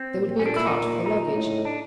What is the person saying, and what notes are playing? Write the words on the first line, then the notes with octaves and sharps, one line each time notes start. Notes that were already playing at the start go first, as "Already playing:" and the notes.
There would be a cart for the luggage.
Already playing: C4
A#2
C#4
D4
E4
D#4
D#4
A2
D4